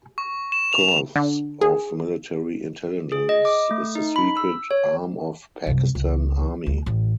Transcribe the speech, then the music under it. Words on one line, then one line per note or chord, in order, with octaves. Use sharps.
Corps of Military Intelligence is the secret arm of Pakistan Army.
C#6
E7
F7
D3
G#4
G#4
D#5
D6
A3
D#4
B5
E6
C#5
C2 F#2
C#2
D2
A1